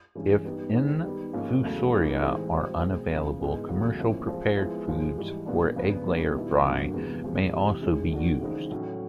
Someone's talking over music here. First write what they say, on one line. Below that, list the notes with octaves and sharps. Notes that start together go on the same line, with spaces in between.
If infusoria are unavailable, commercial prepared foods for egglayer fry may also be used.
G2 E3 G#3 C#4
G3 B3 D#4 G4
D#3 G#3 C4
G3 B3 D#4
G#2 F3 A#3 C#4 F4
E2 C#3 F#3 A3
G3 A#3 D#4 G#4
A2 E3 G#3 C4
G3 C4 F4
B2 G#3 C4
E2 C#3 F3
G#2 E3 G#3 B3
E2 C#3 F#3 A3
A2 F3 A#3 C#4 E4
F3 G#3 C4 F4 G#4
F3 G#3 B3 E4
G#2 F3 G#3
G#2 E3 G3
A#2 G3 B3 D4
F2 C#3 F3 G#3 B3
D#3 G3 A#3 D4 G4
B2 G3 B3 E4
G2 D3 F#3 A#3
E2 C3 F3 G#3 B3
F2 C3 F3 G#3
C3 E3 G3
D#3 G#3 C#4 E4 G#4
D#3 F#3 A3 D4 F#4
C#3 E3 G#3 C4 D#4
A2 F#3 A3 C#4